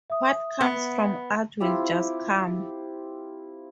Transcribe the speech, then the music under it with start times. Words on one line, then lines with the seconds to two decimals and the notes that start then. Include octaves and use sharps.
What comes from art will just come.
0.10 E5 D#6
0.61 B3
1.60 C4 E4 F4 G4